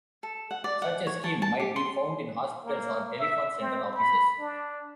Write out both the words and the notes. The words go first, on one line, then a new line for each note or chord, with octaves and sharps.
Such a scheme might be found in hospitals or telephone central offices.
A4
F#5
D5
F#5
C#5
A5
A5
G4
C6
A#3
E5
C4
B5
D4